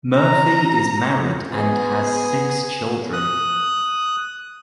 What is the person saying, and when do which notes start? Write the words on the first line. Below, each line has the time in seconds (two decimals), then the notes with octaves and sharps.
Murphy is married and has six children.
0.16 A#5
1.52 B3 G#4
3.13 D#6 F#6